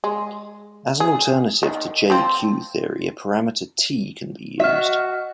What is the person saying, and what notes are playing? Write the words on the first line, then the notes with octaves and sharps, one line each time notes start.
As an alternative to J-Q theory, a parameter T can be used.
G#3
G#4
D#3
F3 C4
F#4 D#5 E5 F6